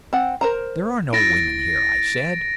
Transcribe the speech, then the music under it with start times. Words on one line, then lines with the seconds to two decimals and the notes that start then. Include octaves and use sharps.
'There are no women here,' I said.
0.13 C4 F#5
0.41 A#4 C5 A#5
1.13 E4 A6 A#6 D7